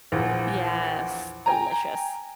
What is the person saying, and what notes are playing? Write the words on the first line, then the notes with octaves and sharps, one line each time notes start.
Yes, delicious.
A#1 E2
G5 G#5 A#5